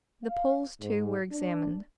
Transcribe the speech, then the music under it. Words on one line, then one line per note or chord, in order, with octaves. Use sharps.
The Poles, too, were examined.
F5
G#2
D4